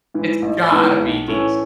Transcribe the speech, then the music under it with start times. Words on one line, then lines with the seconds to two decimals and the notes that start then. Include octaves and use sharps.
it's gotta be decent.
0.14 G#2 E3
0.42 A1
0.71 G#2 E3 B3
1.00 B1
1.28 A2 E3 A3 C#4